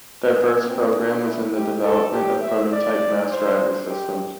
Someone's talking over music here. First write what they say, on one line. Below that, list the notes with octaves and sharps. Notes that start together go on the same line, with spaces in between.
Their first program was in the development of prototype mass driver systems.
B3
C4
D4
E4
G4
A4
G4
E5
D5
C5
G4